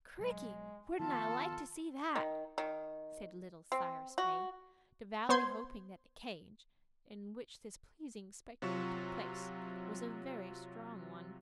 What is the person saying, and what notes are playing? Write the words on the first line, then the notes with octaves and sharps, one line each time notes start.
"Cricky! wouldn't I like to see that," said little Cyrus Fay, devoutly hoping that the cage, in which this pleasing spectacle took place, was a very strong one.
B1 F#3 G#3
D#3 F3 B3 F4 A4 A5
D#3
D#3
C4
F#4
B3 C5 C6 G#6
C3 F#3 F4 C#6 E7